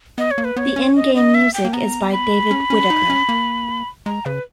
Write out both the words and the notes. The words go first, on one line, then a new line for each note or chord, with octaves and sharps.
The in-game music is by David Whittaker.
B3 D#5
C#5
A#3
B4
B3 C#5
C#4
D#5
D#5
E5
G5
A#3
B3 A#5
B5
C#4
C#4
D#4
C#4
A#3
G#3 A#5
C#3 B4